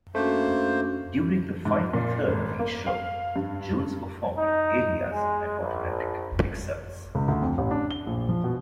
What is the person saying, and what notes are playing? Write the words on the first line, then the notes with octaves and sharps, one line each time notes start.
During the final third of each show, Jones performed arias and operatic excerpts.
A3 A#3 C#4 D4 F#4 C5
G#2
A#2
G#1
A#3
F5
G2
D#4
G#3
A#1
C#2
D2
F2
A1
D4
G7
A#1
F3
B2